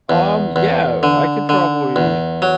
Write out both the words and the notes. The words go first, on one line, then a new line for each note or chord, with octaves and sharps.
Um, yeah, I could probably
E2
E2
D3
D3
E2
F#3